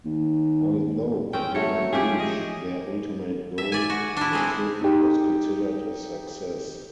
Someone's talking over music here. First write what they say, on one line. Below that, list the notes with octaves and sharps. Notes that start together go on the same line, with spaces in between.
Although they did not reach their ultimate goal, the trip was considered a success.
D#2
C4 C#4 G5
F#3 A3 C#5
F3 C#4 G4 G#4
D#5
E5
D5 G#5
F#4
D4 E4
G#3 C4 E4
D#4 G4